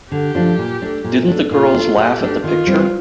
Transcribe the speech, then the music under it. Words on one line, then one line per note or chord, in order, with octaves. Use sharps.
Didn't the girls laugh at the picture?
D3 G4
F3 A3 D4 F4
A#2
A3 D4
A#2
A3 D4
A#2 F4
A3 D4
A#2 G4
A3 D4
D#3 F4
G3 C4